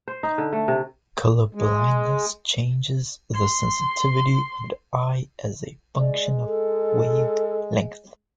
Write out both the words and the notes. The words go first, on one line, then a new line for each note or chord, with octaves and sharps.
Color blindness changes the sensitivity of the eye as a function of wavelength.
C5
D#4
D3
A3
C3
G#3
C6
G#3 D5
A4